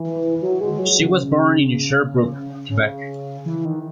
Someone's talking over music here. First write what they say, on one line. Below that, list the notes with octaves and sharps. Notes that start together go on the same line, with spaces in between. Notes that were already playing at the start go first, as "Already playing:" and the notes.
She was born in Sherbrooke, Quebec.
Already playing: E3
F#3
G#3
F#3
C#3
C#3
E3
D#3